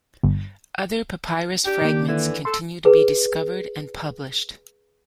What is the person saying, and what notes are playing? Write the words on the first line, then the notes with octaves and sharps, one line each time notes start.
Other papyrus fragments continue to be discovered and published.
G1
D4 G4
D#3 A#3
D3 E3
A4 C6
G#4 B4